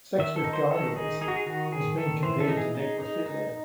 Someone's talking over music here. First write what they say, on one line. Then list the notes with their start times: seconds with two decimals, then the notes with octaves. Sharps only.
Sex with gynoids has been compared to necrophilia.
0.19 D#3 E5
0.36 A4
0.44 D#4
0.53 C5
0.70 D#3 A4
0.95 D#4 G#4
1.21 D#4 G#4
1.28 F#4
1.36 G#4
1.46 D#3 F#4
1.72 D#3 G#4
1.98 D#3 A4
2.23 E3 C5
2.40 A4
2.49 D#4
2.57 G#4
2.75 D#4
3.00 D#4
3.26 D#4